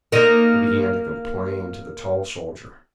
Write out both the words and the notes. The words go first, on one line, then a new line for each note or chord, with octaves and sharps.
He began to complain to the tall soldier.
A#3 D#4